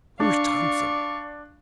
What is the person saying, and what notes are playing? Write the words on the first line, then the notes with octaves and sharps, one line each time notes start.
"Who's Thompson?"
D4 D5 F5 C#6